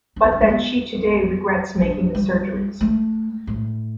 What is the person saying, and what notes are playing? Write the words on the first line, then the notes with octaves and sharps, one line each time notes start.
But that she today regrets making the surgeries.
D4
E4
D4
A3
B3
D4
G3
A3
A2